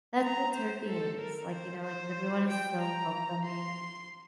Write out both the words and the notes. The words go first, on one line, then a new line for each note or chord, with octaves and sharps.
That's what Turkey is. Like, you know, like, everyone is so welcoming
A#5
C5
A4
A#4
C5
C5
G5
A#5
C6